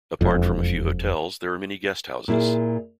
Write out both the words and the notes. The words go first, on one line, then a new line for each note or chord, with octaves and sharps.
Apart from a few hotels, there are many guest houses.
E1 F2
A#2 E4 G#4